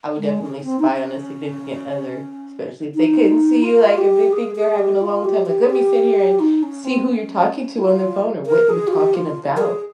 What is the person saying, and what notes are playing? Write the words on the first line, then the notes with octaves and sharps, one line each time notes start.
I would definitely spy on a significant other, especially if they couldn't see you, like, if they think they're having a long time, like, let me sit here and see who you're talking to on the phone or what you're talking about
G#3
C#4
C#4
C4
D#4
C#4
D#4
F4
G4
G#4
G#4
G4
F4
G4
G4
G#4
G4
D#4
C#4
C4
C#4
F4
A#4
G#4
F4
G4
F4
A#4
G#4